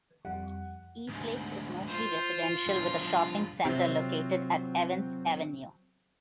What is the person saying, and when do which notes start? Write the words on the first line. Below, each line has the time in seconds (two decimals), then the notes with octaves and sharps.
Eastlakes is mostly residential with a shopping centre located at Evans Avenue.
0.25 F2 G3 F#5
1.09 D2 G#2
1.88 F4 C5
2.66 G2 F3
3.65 C3 F#3 C4 F4